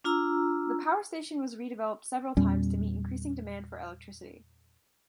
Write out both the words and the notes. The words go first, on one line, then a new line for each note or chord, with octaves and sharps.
The power station was redeveloped several times to meet increasing demand for electricity.
D4 F4 A#5 E6
E2 A#2 G3 C#4